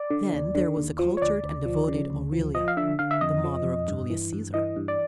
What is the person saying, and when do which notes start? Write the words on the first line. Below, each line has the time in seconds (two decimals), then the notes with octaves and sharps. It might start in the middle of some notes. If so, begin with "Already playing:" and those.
Then there was the cultured and devoted Aurelia, the mother of Julius Caesar.
Already playing: D5
0.11 D3
0.33 D#2
0.55 D3
0.77 D#2
0.99 F3
1.17 C#5
1.22 D2 D5
1.44 D2
1.65 F3
1.88 C#3
2.10 D2
2.32 F3
2.54 F3 D#5
2.68 F5
2.77 D3 E5
2.99 D3 F5
3.11 E5
3.21 F2 D#5
3.44 F3
3.65 F2
3.88 G2
4.10 E3
4.33 G2
4.54 E3 D#5
4.76 G2
4.88 D5